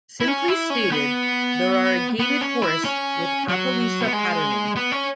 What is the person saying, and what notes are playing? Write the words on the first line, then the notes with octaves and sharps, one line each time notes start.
Simply stated, they are a gaited horse with Appaloosa patterning.
E4
C#4
E4
C#4
B3
B3
C#4
E4
C#4
F#3
B3
G#3
B3
C#4